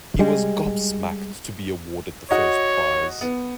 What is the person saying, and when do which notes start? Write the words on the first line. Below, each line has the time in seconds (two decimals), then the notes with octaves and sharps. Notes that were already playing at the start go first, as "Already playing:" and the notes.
He was gobsmacked to be awarded the first prize.
0.19 G3 G#3
2.31 F#4 C#5 D#5
3.21 B3